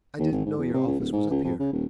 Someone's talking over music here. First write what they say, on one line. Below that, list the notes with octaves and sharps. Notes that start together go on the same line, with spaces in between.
"I didn't know your office was up here."
D#2
G#1
G#2
E2
C3
C#2
D1
G#2
C#2
F2
C#3
D#1